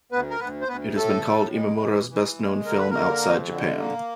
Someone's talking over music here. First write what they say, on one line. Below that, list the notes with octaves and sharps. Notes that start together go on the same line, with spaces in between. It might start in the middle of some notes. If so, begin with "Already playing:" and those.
It has been called Imamura's best-known film outside Japan.
D2 B3 B4
A#4
D2 B3 B4
C5
D2 B3 B4
A2 A3 A4
A2
G#3
E3
E3
G#3
D3 A#4
B4
D3 A#3 A#4
F2
D3
A#3